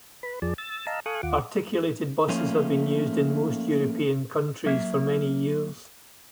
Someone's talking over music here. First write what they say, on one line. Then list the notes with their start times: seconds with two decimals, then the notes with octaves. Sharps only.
Articulated buses have been used in most European countries for many years.
0.23 B4 B5
0.42 F2 F3 G#4 D5 A5
0.58 E6 A6
0.87 D#5 F5 A5 A#5 E6
1.06 A4 F5 G#5 C#6 D#6 F#6
1.23 D#2 F4 F#5 D6
2.29 F3 A3 A#3 C#4
4.65 F#3 A#3 E5